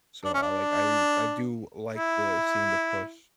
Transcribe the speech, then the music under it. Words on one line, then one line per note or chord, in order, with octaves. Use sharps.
So I, like I I do like the seeing the push.
D4
C#4
D4
E4